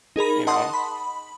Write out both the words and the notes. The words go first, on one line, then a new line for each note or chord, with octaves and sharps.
you know?
D#4 G#4 A#4 B5
D#5 F#5 A5 C6 D#6
B5